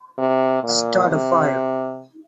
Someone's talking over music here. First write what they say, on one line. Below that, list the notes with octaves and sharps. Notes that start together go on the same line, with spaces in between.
Start a Fire.
C3
A#2
C3